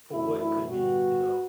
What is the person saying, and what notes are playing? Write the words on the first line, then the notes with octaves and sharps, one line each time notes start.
for what could be, you know,
F#2 E3 A3 D4 E4
E4
G2 D3 G3 B3 F#4